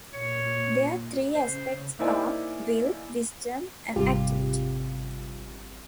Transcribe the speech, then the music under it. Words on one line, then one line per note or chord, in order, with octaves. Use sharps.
Their three aspects are "Will", "Wisdom" and "Activity".
A#2 C#5
C#3 C5
A#3 D#4 E4 C5 D5 G#5
G#1 C3 G3 F4 G4